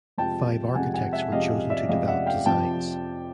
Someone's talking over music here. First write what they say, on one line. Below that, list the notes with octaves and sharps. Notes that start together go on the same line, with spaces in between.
Five architects were chosen to develop designs.
F2 C3 F3 G#3 G5 A5
F2 C3 F3 G#3 F#5 G#5
F#5 G#5
E5 F#5
F2 C3 F3 G#3 D#5 F5
D5 E5
F2 C3 F3 G#3 D#5 F5
E5 F#5
F5 G5
F2 C3 F3 G5 A5